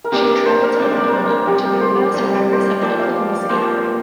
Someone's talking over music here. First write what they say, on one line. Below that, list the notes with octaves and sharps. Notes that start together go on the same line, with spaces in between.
She traveled to Oklahoma to profile survivors of the Oklahoma City bombing.
A#4
C3 A#3 D4 G4
A#4
C5
A#4
C3 A#3 D4 D5
D5
A#4
C5
A#4
F2 C3 G3 G4
C5
F2 C3 G3 D5
D5
C5
D5
F2 F3 A#3 D5
F5
D5
D5
F2 F3 A#3 C5